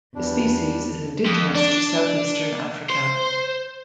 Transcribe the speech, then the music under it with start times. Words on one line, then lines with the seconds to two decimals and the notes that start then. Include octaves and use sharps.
The species is indigenous to southeastern Africa.
0.15 E2 G3 D4
1.26 F2
1.56 D4
2.90 C5